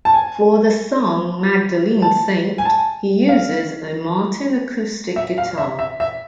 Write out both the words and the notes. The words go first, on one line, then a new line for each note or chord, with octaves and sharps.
For the song, "Magdalene Saint" he uses a Martin acoustic guitar.
A5
G#5
A5
G#5
A5
F5
E5
F5
E5
E5
E5